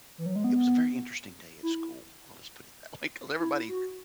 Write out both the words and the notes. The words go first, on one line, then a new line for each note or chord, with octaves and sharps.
it was a very interesting day at school, I'll just put it that way, 'cause everybody
E3
F#3
G#3
B3
E4
E4
F#4